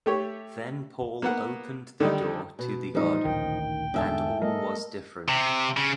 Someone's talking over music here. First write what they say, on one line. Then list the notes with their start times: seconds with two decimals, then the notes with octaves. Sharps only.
Then Paul opened the door to the garden, and all was different.
0.06 A3 G4 C#5
1.22 A#3 B3 F#5
2.00 D3 D#3 G3 D#4
2.59 B2
2.95 A2 E3 F3 G3 D#4
3.25 A1 D2 A#2 D#3 G5
3.94 E2 G#2 D3 E5 A5
4.42 F#3 G#3 A#3 A4 A#4 D#5
5.28 C3
5.77 C#3